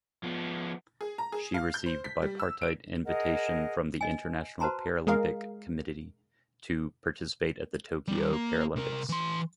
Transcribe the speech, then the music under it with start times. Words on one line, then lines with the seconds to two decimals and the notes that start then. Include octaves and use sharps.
She received bipartite invitation from International Paralympic Committee to participate at the Tokyo Paralympics.
0.23 F3 B3
1.01 G#4
1.18 A#5
1.32 G#4
1.54 F5
1.74 G6
1.86 C5
2.04 B6
2.22 G3
2.40 E6
2.62 D7
3.05 G#4 A#4 D#5 F#5
4.01 D#5 G#5
4.60 F#4 B4 C5 A5 A#5 C6
5.07 G#3 G#4 A#4 F5
8.08 D#2 G3
8.33 A#3
8.76 C3 A#4
9.09 E3 C6